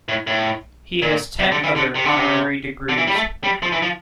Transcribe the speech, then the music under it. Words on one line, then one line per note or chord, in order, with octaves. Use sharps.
He has ten other honorary degrees.
A2
A2
A#2
C3
D3
E3
D3
C3
D3
C3
D3
E3
G3
A3
G3
F3
E3
F3